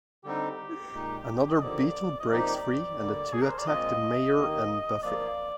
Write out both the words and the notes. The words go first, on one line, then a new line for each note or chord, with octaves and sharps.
Another beetle breaks free and the two attack the Mayor and Buffy.
D3 G3 C4 D#4 G4
A#2 G#3 D#4
D#5
D#2 D3 F3 A#3 D5
D#5
C3 F3 A#3 D#4 G4 D5
D2 D3 G3 A#3
G#4
A#4
C5
D5
A#2 G#3 C4 F4 D#5
D#2 D#3 A#3
F3 A#3 F4 D5